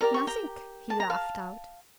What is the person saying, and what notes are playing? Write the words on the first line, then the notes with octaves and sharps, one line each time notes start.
"Nothink!" he laughed out.
G4 A#4 D5 A#5
C#6
G5 A#5
A5
A#5
F5 A5